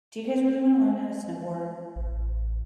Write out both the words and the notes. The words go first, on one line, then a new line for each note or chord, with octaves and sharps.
do you guys really wanna learn how to snowboard?"
A1